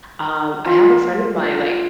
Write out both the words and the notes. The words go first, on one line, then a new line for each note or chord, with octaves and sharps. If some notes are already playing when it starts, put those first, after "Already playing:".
Um, I have a friend of mine, like,
F4